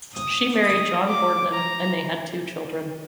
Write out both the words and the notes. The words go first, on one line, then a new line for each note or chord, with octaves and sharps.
She married John Boardman and they had two children.
D#6
D#6
D6
A#5